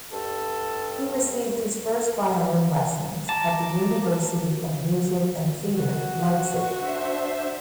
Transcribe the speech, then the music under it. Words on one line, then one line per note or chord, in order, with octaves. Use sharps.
He received his first violin lessons at the University of Music and Theatre Leipzig.
G2 A4
A5 A#5 D6
F#4
D4 C5 E5